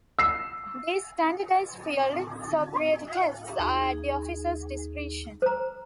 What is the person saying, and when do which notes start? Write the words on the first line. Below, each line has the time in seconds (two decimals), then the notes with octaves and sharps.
These "standardized field sobriety tests" are at the officer's discretion.
0.19 E6 C7
3.59 D#2 D#4 G#4
5.42 C5 A#5